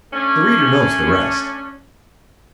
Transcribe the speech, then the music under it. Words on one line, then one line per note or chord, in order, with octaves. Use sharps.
The reader knows the rest.
A3 C#4 D4